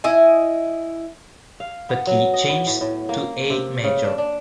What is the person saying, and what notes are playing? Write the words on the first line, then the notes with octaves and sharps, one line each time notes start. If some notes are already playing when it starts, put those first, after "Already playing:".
The key changes to A major.
E4 D#5 G#5
F5
B3
F#3
D#5
B3
A2
A2
A#3
C3
C#3
D4
D4